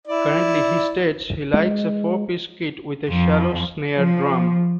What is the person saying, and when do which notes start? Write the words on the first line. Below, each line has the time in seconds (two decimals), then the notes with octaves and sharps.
Currently he states he likes a four-piece kit with a shallow snare drum.
0.07 E4 D5
1.54 G#3
3.09 F2 F3
3.95 F3